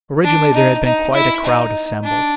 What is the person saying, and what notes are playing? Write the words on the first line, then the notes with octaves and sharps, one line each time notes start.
Originally there had been quite a crowd assembled.
D4
D#4
D#4
E4
D#4
D4